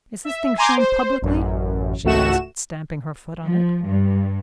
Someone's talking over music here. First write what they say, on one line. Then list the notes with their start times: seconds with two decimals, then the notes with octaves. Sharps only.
"Is this thing shown publicly?" she asked, stamping her foot on it.
0.25 E5
0.58 G#5 A#5 C6 D6 G6
0.77 C5
1.22 A1 F#2
2.03 G#1 C#2 A3 F#4 E7
3.44 F3
3.85 G2